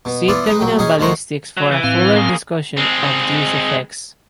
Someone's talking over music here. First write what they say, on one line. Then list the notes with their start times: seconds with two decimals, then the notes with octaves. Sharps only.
See terminal ballistics for a fuller discussion of these effects.
0.05 B2
0.28 E3 B3 F4 D5
0.46 G#3 D#4 B4
0.59 A#1 F#3 G5
0.79 C#4 D#4 G#4
0.99 D2 D#3 F#4 C5 A#5
1.57 F#3
1.71 E3
1.83 A2 C4 F5
2.16 A#3 G#4
2.77 G#3 C4